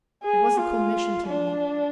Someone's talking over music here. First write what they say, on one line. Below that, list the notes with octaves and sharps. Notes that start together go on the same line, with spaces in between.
It was a commission to me!
G#4
F4
D4